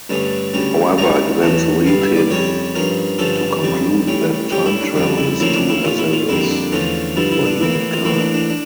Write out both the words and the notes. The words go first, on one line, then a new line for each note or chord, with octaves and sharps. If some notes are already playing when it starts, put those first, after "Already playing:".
However, events lead him to conclude that time travel is too hazardous for humankind.
G2 D3 A3 C#4
D2 C#3 G3 C#4
C#2 C#3 G3 C#4 A#5
E2 E3 A3 C#4 A5
G2 D3 G3 F5
E5
D5
F2 C#3 G3 C#4 C#5
G2 F3 C#4 A#4
G2 D3 F3 C#4 A4
F2 C#3 G3
A2 G3 C#4
A2 G3 C#4 G4
E4
D4
F2 C#3 G3 C#4 D4
E4
D2 C#3 F3 A#3 C#4 E4
D4
E4
A#2 A3 C#4 F4
E4
F4
F2 D3 G3 A#3 E4
D4
E2 D3 F3 A3 C#4 F4
G2 D3 F3 E4
E4
D4
A2 E3 A#3 E4
F4
A2 E3 A#3 E4
D4
D4
D4